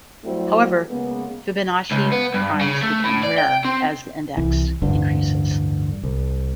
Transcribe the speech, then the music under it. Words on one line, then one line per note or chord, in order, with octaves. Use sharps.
However, Fibonacci primes become rarer as the index increases.
F#3 G3 A3 C4 E4 F#4
C#3 G#3 A#3 B3
C#2
B3
G2
C#3
A3
A2
D5
G5
C4
C2 E3
A1 D2 G2 D3
C2